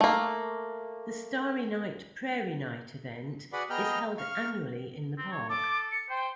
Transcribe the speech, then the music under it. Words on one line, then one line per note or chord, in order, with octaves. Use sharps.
The Starry Night, Prairie Night event is held annually in the park.
A3 A#3
F#4 G#4 B4 D5 F#5 B5
B3 G#4 D#5 G5 A#5 F6
F5 C#6 F6
C4
C#5
A4 D6
C#7
C5 G5